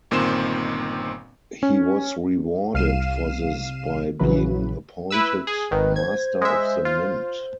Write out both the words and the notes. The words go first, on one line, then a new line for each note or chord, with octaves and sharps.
He was rewarded for this by being appointed Master of the Mint.
G1 A#2 D#3 C4 C6 E7
C#4
C2 F5 F6 C7 D#7 E7
A#1 C#3 E3 F#3 B4
E4 B4 E6
G#4
G#1 D#3 B4
C5 G#6
G#3 E5
F4